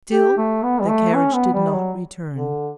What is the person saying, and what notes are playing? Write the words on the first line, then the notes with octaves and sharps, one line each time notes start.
Still, the carriage did not return.
G4
A3
B3
G3
A3
C#4
B3
G3
F#3
D3